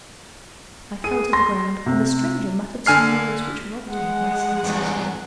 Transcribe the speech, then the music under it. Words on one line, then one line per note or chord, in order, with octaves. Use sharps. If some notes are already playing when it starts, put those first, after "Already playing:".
I fell to the ground, and the stranger muttered some words, which robbed me of my senses.
G#4 D#7
C6 A#6
C3
D3 G#5 F6 C7
G#3 F#5
E2 G2